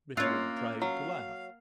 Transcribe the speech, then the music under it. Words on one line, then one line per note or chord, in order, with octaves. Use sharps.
Richard tried to laugh.
A#3 C#4 F4 E6 F#6 A6
F#3 F5